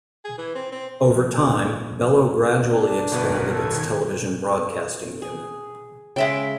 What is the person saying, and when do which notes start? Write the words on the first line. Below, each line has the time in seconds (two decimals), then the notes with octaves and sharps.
Over time, Belo gradually expanded its television broadcasting unit.
0.24 G#4
0.38 E3
0.55 C4
0.72 C4
1.11 A#2 F3
2.70 D4
3.12 G1 B2 A#4 B4
3.50 D#3 A4 G#6
5.22 G#4
6.16 C#3 G#3 E5 G5